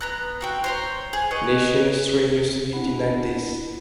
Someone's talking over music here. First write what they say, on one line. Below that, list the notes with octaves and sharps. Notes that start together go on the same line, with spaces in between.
Nation strenuously denied this.
B3 A#5 F#6
C4 F#4 G5
C5 C#5 A#5
G#4
B4 C#5 D#5 F#5
D4 E4 F#5 B5